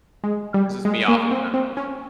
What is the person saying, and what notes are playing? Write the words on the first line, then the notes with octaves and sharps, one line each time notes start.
pisses me off in general, so
G#3
G3
G#3
A#3
C4
C4
C#4